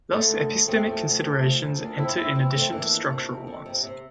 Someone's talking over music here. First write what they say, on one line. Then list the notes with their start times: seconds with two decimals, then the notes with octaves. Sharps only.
Thus epistemic considerations enter in addition to structural ones.
0.12 D3 A3
0.31 D2
0.49 D2
0.68 D2 A3 C4
0.86 F3
1.05 D2
1.24 D2
1.43 F3
1.61 D2
1.79 D2 A#3 D4
1.98 F3 C4 E4
2.09 F4
2.17 D2 C4 E4
2.35 E3 C4 E4
2.54 F2 A3 C4
2.72 E3 A#3 D4
2.91 F2
3.10 C3
3.29 F2
3.47 F2
3.66 C3
3.84 C3